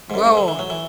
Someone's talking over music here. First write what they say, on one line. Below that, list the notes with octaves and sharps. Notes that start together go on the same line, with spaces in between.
"Go on."
G#2
F#2
G#2
D3
E3
F#3
E3